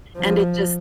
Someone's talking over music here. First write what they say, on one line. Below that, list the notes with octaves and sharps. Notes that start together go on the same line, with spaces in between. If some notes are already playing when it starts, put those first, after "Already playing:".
and it just
F3